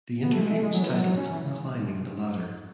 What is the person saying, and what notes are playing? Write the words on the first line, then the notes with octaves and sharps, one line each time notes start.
The interview was titled "Climbing the Ladder".
B3
A3
G#3
A3
G#3
F#3
E3
F#3
F#3
C#4
E3
C#3